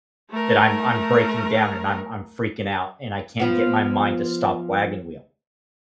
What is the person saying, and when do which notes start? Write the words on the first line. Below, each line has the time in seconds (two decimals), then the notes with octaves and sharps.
that I'm I'm breaking down and I'm I'm freaking out and I can't get my mind to stop wagon-wheeling.
0.30 A3 A#4
3.40 F3 B3